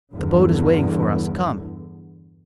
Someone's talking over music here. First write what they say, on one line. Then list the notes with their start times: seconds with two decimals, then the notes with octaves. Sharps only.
"The boat is waiting for us; come."
0.13 E2 G2 D3